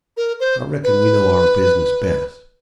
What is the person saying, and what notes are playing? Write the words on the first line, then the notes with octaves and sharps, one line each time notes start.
I reckon we know our business best.
A#4
C5
B4